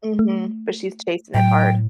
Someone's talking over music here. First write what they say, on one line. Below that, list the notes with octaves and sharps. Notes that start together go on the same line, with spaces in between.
Mhm, but she's chasing it hard.
A3
A2 F#3 G5